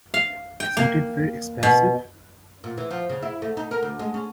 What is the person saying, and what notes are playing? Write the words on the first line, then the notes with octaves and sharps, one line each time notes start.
Isn’t it very expressive?
F5
G5
A#3
B2
A#2
E3
F3
C#3
E4
A3
D#4
A#4
D2
G#3
C#4